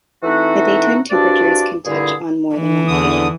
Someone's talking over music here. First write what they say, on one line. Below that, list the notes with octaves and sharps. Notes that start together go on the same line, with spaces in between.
The daytime temperatures can touch on more than one occasion.
E3 A3 C4 D#4 F#4
C2 G2 D4 F#4 D5
G2 A#2 D3 E4 G#4
E3
E2 D3 D#6